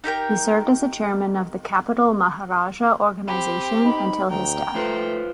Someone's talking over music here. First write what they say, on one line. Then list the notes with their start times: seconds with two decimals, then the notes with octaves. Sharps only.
He served as the chairman of the Capital Maharaja organisation until his death.
0.04 D#4 G4 A#4 G5
3.28 C4 G4 B5
3.85 D#4 B5
4.30 D2 G5 A#5
4.75 A3 F4 B4 C5